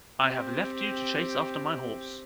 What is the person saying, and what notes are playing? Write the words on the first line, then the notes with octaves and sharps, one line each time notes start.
I have left you to chase after my horse.
C4 G4